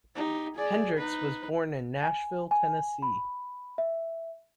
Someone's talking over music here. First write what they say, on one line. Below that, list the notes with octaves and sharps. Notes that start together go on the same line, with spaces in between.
Hendricks was born in Nashville, Tennessee.
D#4 G4
G#4 D5
D#4 B4
G#5
G#5
B5
E5